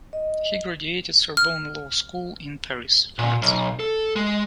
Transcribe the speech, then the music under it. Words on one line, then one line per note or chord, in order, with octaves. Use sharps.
He graduated Sorbonne Law School in Paris, France.
D#5
F6
A#2
B1
A4
G#3